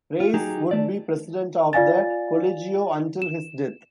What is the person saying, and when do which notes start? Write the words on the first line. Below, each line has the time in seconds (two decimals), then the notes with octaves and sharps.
Reyes would be president of the "Colegio" until his death.
0.20 F4
0.34 F#3 D#4 G4 G#4
0.71 A3 D5
1.73 F4 D5 F5 G#5 A6
3.22 E7